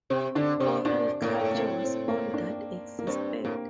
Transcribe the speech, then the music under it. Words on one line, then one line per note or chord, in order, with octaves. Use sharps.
Oral culture was all that existed.
C3 C4
D3 D4
C3 C4
A#2 D4
A2 A#3
A3
A#3
C4
C4
A#3
D4
A#3
G2 C4
A2 A#3